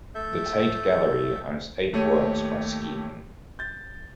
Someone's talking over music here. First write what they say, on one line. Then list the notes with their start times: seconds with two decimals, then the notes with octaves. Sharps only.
The Tate Gallery owns eight works by Skeaping.
0.15 A3 A4 E5 G6
1.93 D#2 A3 G4 C#5 D#7
3.59 G6 A6